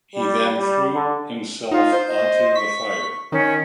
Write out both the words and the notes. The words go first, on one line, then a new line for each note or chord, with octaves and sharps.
He then threw himself onto the fire.
G3
G3
D3
D#4 F4
C5
D#5
C#6 B6
D#3 C#4